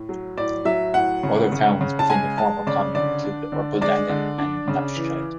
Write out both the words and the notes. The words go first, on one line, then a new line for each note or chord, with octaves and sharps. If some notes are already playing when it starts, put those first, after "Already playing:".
Other towns within the former commune include Erpeldange and Knaphoscheid.
Already playing: A2
F#3
A2 D5
F#3 E5
A2 F#5
C#3
C#3
C#3
A5
G#3 G#5
G#3 A5
C#3 D5
D3 D5
D4
D3
G#3 D5
D3
D4
C#3
E3